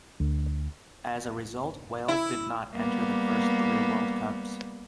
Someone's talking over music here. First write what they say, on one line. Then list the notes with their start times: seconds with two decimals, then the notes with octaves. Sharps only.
As a result, Wales did not enter the first three World Cups.
0.20 D2
2.08 E4
2.74 G3 A#3 B3